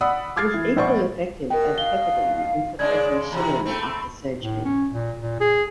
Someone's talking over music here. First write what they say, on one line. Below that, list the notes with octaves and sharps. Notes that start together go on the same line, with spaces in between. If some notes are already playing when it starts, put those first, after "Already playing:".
It is equally effective as pethidine in suppressing shivering after surgery.
D5 F#5 B5 D#6 E6
D6 F6 G#6 A6 C7
E3
A#1 B3 C5 D5 F#5 C#6
B2 A#4 G5
F5 G7
C#3 G#3 D4 D5 G#6
E2 C3 B5
A3 C4
A2
C#4
A#2
A#2
G#4